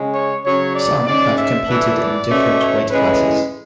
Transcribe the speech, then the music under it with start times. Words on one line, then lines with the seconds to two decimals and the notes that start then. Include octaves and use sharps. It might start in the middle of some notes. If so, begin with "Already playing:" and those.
Some have competed in different weight classes.
Already playing: C#3 G#3 C#4
0.13 C#5
0.44 C#3 F#3 C#4 C#5
0.75 D5
1.05 G#2 G#3 C#4 D5
1.37 E5
1.67 A2 E3 B3 D4
1.99 D5
2.29 B2 A3 C#4
2.60 C#5
2.90 A2 E3 G#3 C#4 B4